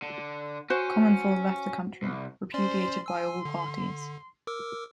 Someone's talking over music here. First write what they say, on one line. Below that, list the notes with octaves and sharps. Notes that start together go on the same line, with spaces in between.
Comonfort left the country, repudiated by all parties.
D3
C#4 F#4 C5
C2
C#4 C5 D5 C6
G#5 C6 E6
D3
A#4 D6 E6